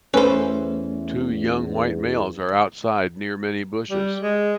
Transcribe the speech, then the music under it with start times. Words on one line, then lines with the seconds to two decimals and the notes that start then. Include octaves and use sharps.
Two young, White males are outside near many bushes.
0.14 E2 E3 A3 C#4 A4 B4 C5
3.90 G3
4.21 G#3